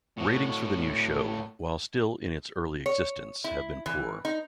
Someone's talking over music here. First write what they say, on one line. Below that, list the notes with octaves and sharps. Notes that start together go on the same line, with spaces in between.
Ratings for the new show, while still in its early existence, have been poor.
A2 F#4
C#5
E4
E3
D#4